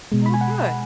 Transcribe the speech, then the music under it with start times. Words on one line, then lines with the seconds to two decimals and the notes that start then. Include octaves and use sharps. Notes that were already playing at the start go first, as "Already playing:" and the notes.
Oh, good.
0.12 B2 G#3
0.26 B5
0.34 G#5
0.41 F#5